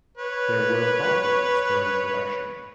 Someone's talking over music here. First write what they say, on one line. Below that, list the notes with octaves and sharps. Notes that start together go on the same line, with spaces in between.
There were problems during production.
B4 C#5